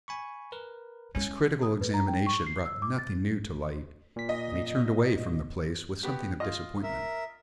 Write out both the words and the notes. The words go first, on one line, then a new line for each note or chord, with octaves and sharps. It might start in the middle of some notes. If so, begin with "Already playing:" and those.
This critical examination brought nothing new to light, and he turned away from the place with something of disappointment.
G#5 B5 C#6
A#4 B4
G#3 C#4 E4
D#6
B4
A#5
G5
C#6
C7
E6
D6
A6
A#2 B6
D#5
B3 F#4 G4
F4 D#5
A#4 E5